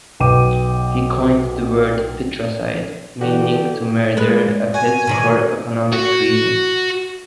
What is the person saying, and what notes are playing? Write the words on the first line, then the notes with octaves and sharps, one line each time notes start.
He coined the word "Pitracide", meaning "to murder a pit for economic reasons".
B1 B4 G5 D6 D#7
D3 E3 F#4 G4 F#5
G#3 B4
F#4 G#5
B2 D#3 D5
F#4